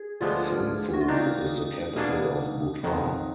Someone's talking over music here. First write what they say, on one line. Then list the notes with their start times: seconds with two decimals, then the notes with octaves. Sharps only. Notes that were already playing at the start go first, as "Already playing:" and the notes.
Thimphu is the capital of Bhutan.
Already playing: G#4
0.21 D2 D3 F3 G#3 B3 F4
0.93 F#4
1.01 F4
1.08 D#3 A#3 D4 D#4
1.96 B2 A#3 D4 G#4
2.84 F2 D#3 F#3